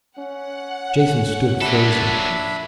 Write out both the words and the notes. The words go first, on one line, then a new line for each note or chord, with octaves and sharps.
Jason stood, frozen.
C#4 F#5
F#3 D4 A4 E5 B5